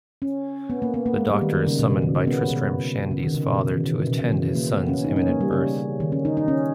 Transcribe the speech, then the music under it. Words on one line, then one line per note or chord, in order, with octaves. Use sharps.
The doctor is summoned by Tristram Shandy's father to attend his son's imminent birth.
C#4
B3
A#3
B3
A#3
G#3
G3
D#3
D#3
C#3
B2
C#3
D#3
C#3
B3
B2
C#3
D#3
C#3
B2
C#3
E3
D#3
C#3
B2
C#3
E3
A#3
B3
C#4
D#4
C#4
A#3
G3
C#3
D#3
C#4
D#4
D#4
C#4